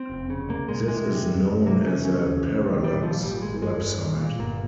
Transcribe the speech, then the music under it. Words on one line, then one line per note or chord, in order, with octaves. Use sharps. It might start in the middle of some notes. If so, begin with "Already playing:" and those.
This is known as a parallax website.
Already playing: C4
F1
C#3
C2 A#3
A#2 G#3
C3 G#3
C3
G2
G2
C3 A#3
C3 C#4
C#3 C#4
D#2
C2
C3
A#2 G3
A#2 F3
G#1 G3
G#1 G#3
G2 G#3
G2
A#2
A#2
G1 A#3